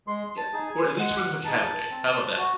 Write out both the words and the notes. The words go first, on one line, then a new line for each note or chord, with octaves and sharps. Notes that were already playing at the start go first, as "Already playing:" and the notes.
Yeah, or at least for the vocabulary how about that?
G#3 C6
A5
D#4 G#4
G#5
G#3 F#5
D#4 G#4 A5
C4
F#4